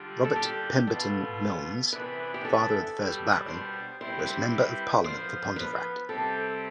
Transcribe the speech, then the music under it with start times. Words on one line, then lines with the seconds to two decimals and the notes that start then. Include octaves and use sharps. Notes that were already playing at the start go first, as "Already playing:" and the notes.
Robert Pemberton Milnes, father of the first Baron, was Member of Parliament for Pontefract.
Already playing: D3 G3 D4 F4
0.25 A4
0.36 G4
0.87 B2 B3 F4 A4
1.92 C3 E3 B3 D4 B4
2.34 G4
2.45 A4
2.96 B2 G3 D4 G4
3.48 C5
4.00 G3 C4 E4 G4 C5
4.19 B4
4.26 C5
4.52 B4
5.04 F3 B3 F4 C5
5.56 B4
6.08 C3 G3 C4 G4 A4